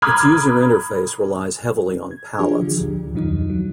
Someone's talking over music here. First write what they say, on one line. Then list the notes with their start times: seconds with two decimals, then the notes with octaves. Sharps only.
Its user interface relies heavily on palettes.
0.02 A#5 B5 D6 D#6 F6 G#6
2.11 G#6
2.38 F3 D4 F4 G4 G#4
2.61 D3 D#3 F3
2.79 D2 A#2
3.14 F2 B2 D#3 F3 F#3 D#4
3.50 F#3